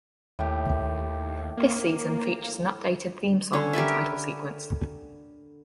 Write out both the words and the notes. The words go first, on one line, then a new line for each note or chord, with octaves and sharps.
This season features an updated theme song and title sequence.
D#2 A2 G4
A#3
D3 C#4 C#5
G4 A#4 B4 E5